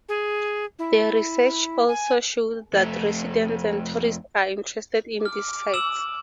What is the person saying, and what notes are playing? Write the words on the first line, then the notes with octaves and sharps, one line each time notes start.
The research also showed that residents and tourists are interested in these sites.
G#4
E4
G#5
F2 A3
D6 F6
E6 E7 F#7